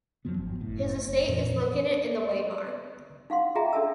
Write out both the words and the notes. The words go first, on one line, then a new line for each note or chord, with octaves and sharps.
His estate is located in the in Weimar.
F2 F3 F#3 B3
G#1
F#1 A2
F#1
F2 A#2 E3 F3
D#4 F5 F#5 C6
F4 G#4 D#5 E5 G5 A#5
D4 A4 E5 A5 E6